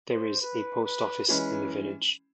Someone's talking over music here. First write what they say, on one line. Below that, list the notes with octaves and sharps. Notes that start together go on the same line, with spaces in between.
There is a post office in the village.
C5
B4
B4
E3 G#3 C#4 B4